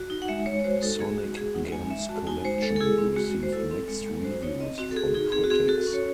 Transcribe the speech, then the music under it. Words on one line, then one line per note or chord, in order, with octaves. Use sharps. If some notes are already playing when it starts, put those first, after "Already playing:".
"Sonic Gems Collection" received mixed reviews from critics.
Already playing: F#4
D#4
F#5
G#3 E5
G#3 C#5
C#5
F#4 C5
D#4 A4
G#3 G#4
G#3 F#4
F#4 G#4
D#4 F#5
G#3 G#5
G#3 E5
F#4 A5
D#4 G#5
G#3 C5
G#3 A4
A4
E4 G#4
C4
G#3 F#4
G#3
C5
E4 A4
C4
G#3
G#3
F#4 C5
D#4 C#5
C4 D#5
C4 F#4
A4
F#4 G#4
D#4 G#4
C4 G#4
F#4
C4 G#4
F#4 A4
C#4
C#5